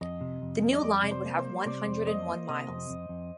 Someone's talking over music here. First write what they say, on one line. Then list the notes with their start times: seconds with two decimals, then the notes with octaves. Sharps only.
The new line would have one hundred and one miles.
0.01 F2 D#5
0.21 C3
0.42 F2
0.62 G3
0.73 D#5
0.83 F2 D5
1.03 C3
1.11 C5
1.24 A#3
1.39 C5
1.46 G3
1.65 C3 D5
1.86 F2
2.07 A#3 D#5
2.27 A#3
2.48 C3 D#5
2.68 F2
2.90 F2
3.09 F2